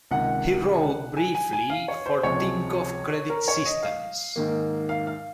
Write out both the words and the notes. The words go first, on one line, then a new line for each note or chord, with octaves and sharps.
He rode briefly for Tinkoff Credit Systems.
C#2 C3 D#3 F#5
G#5
G#5
G#5
F5
C#5
C5
C#2 C3 F3 G#3 C#5
A#4
C#5
D#5
F5
G#2 D#3 A#3
F5
F5